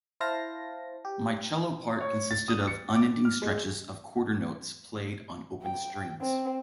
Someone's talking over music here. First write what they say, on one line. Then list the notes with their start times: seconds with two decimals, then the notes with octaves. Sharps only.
My cello part consisted of unending stretches of quarter notes played on open strings.
0.20 E4 C5 F5 A5 A#6
1.05 G4
2.01 C#5
2.31 A6
2.48 D#6
2.67 C#7
2.96 D6
3.25 F6
3.42 G#3
5.63 G5
6.21 C4